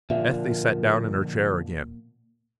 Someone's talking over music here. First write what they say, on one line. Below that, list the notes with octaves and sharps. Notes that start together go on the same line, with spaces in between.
Ethne sat down in her chair again.
A#2 D3 F3 E5